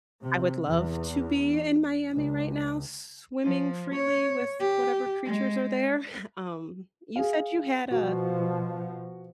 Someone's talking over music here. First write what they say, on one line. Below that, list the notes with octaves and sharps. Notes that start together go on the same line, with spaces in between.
I would love to be in Miami right now, swimming freely with whatever creatures are there. Um, you said you had a
C3
E2
C#2
F3
C#5
G4
G#3
G#4 F5
B2 F3 F#4